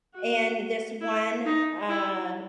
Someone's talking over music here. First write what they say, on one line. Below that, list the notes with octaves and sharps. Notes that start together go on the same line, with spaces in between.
in this one, uh,
F#4
E4
D#4
E4